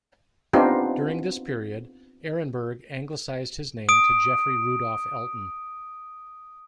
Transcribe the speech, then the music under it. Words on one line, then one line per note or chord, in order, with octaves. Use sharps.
During this period, Ehrenberg anglicised his name to Geoffrey Rudolph Elton.
B3 C4 D4 D#4 F4 G4
D#6 D7